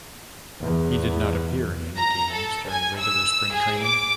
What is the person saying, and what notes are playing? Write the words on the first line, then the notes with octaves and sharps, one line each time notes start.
He did not appear in any games during regular Spring training.
E2
A#5
A4
G#5
E6
G#4
D6